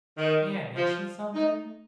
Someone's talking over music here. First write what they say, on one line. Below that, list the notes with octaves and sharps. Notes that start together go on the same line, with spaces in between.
May I mention something?'
D#3
F3
D#4